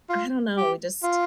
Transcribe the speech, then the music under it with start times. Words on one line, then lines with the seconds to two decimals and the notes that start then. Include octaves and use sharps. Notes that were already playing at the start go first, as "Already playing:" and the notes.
I don't know, we just
0.10 F4
0.57 G4
1.03 F4